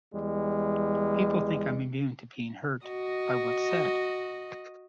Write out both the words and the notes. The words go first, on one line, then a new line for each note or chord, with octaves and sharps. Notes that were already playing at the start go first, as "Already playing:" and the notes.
People think I'm immune to being hurt by what's said.
E2 G3 G#3
F#4 D#5